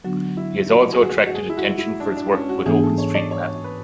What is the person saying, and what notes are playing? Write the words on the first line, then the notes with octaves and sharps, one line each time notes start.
He has also attracted attention for his work with OpenStreetMap.
D3 F#3 B3 D4 F#4
E4
F#4
G#4
F#4
F#4
G#4
E4
F#4
E4
D4
D4
C#4
F#4
G#2 E3 B3 D4 G#4
A4
C#5
D5
C#5
B4